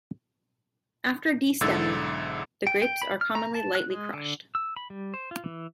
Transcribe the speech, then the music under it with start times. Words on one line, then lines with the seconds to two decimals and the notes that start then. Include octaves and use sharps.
After destemming, the grapes are commonly lightly crushed.
1.61 B1 G#2 D3 E4 E6 A6
2.67 G5
2.82 G5
3.02 B5
3.21 F6
3.35 A#5
3.55 A5
3.75 F#6
3.90 G#3
4.14 D3
4.55 E6
4.76 B5
4.90 G3
5.14 C5
5.31 F4
5.44 E3